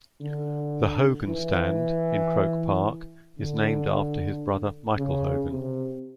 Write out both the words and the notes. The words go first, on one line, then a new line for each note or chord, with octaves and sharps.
The Hogan Stand in Croke Park is named after his brother Michael Hogan.
D3
E3
D3
C#3
C3